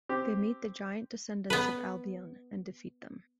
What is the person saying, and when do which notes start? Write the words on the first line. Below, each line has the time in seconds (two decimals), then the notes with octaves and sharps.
They meet the giant descendants of Albion and defeat them.
0.09 C4 G4
1.50 B3 B4